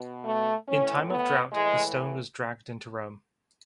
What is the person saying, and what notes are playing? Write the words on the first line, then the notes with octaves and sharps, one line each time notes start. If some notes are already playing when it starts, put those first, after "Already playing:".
In time of drought the stone was dragged into Rome.
Already playing: B2
A3
A2 E3 C#4
B3
A2 E3 G#3